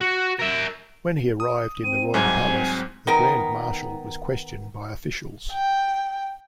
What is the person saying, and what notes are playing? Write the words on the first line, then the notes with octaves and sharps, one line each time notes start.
When he arrived in the royal palace, the Grand Marshal was questioned by officials.
F#4
A#4 E5
D#6
C4 D#7
C2 G#2 F#3 G#5
D#3 B3 A#4
G5